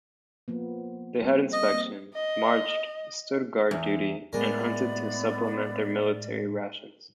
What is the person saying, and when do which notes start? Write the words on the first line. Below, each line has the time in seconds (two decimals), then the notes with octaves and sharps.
They had inspections, marched, stood guard duty and hunted to supplement their military rations.
0.48 F3 A#3 B3
1.22 G3 A#3 C4
1.53 D#5
1.71 A#3 C4
2.15 D#5
3.71 E2
4.33 A2 G#3 B3 A#4 D5